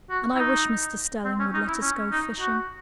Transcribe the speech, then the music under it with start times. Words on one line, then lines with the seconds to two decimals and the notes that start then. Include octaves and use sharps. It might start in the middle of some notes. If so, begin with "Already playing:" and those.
And I wish Mr. Stelling would let us go fishing.
0.10 F#4
0.35 E4
0.39 D#4
1.25 C4
1.39 C#4
1.54 D#4
1.68 E4
1.82 C#4
2.11 D#4
2.40 F#4